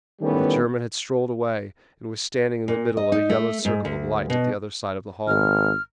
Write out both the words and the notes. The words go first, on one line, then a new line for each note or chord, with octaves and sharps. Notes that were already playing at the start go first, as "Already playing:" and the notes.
But the German had strolled away, and was standing in the middle of a yellow circle of light at the other side of the hall.
D#3 E3 G3 A3 B3 C#4
A#2
D#5
D#4
A3
G#2
D2
B2
G#1 F6